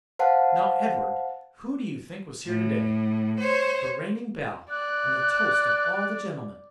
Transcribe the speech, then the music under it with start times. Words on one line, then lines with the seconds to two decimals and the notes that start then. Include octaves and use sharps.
"Now, Edward, who do you think was here to-day--the reigning belle, and the toast of all the gentlemen?"
0.19 C5 F5 F#5 A5
2.46 A2
3.40 C5 C#5
4.70 D5 F#6